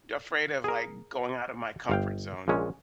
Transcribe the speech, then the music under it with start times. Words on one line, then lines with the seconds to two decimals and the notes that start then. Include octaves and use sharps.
afraid of, like, going out of my comfort zone
0.64 G#4 A#4
1.90 G1 F5 G5
2.48 A#1 A#2 G#3 C#4